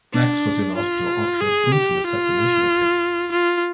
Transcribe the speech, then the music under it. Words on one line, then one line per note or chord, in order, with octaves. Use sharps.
Max was in the hospital after a brutal assassination attempt.
D4
F4
G#4
G4
F4
F4